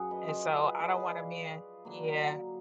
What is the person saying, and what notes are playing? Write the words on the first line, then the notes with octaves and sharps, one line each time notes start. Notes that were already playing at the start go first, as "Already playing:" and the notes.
and so, I don't wanna man yeah,
Already playing: F#2 F3 G#4 F#5
B4 D#5
F4 G#4
G#4 B4
B4 D#5
D5 F5
D3 F#3 A#3